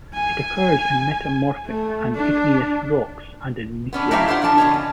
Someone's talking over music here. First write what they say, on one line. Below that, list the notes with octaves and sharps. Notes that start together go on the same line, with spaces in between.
It occurs in metamorphic and igneous rocks and in meteorites.
G#5
A3
D4
B3 C#4 D4
F#3 A3 E4 G4 E5 F5
D4 E4 F4 C5 F#5
D3 F3 D4 A5
B2 D3 C#5
C#4